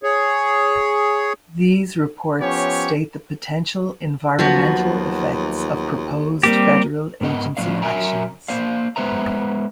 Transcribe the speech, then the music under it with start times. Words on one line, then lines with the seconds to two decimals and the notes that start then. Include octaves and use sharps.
These reports state the potential environmental effects of proposed federal agency actions.
0.03 G#4 C#5
2.40 F3 B3 C#4 G4 C#5
4.39 D#2 F3 F#3 B3 F#4
6.43 G3 A#3 C4 G4
7.21 G#2 B3 A#4 D#5
7.57 A2 F3 B3 D5 F5
7.82 F#3 A#4 E5 G5 G#5 A#5
8.48 A#3 C5 D5 F5
8.96 G#3 B3 B4 C5 E5 A#5